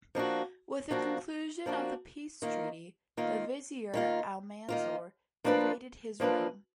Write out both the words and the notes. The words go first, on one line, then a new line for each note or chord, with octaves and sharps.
With the conclusion of the peace treaty, the vizier Almanzor invaded his realm.
F3 A#3 D4 F#4
F3 A#3 D4 F#4
F3 A#3 D4 F#4
D#3 A#3 F4
D#3 A#3 F4
D#3 A#3 F4
D#3 A#3 F4
F3 A#3 D4 F4 B4
F3 A#3 D4 F4 B4